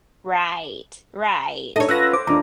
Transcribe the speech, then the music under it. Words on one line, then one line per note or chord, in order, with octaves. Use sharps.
Right, right.
D4 D#4 A4 C#5 D#5
C#4 F4 B4 F#5 E6 F#6 A#6
C5 D6
D#2 D4 F4 A#5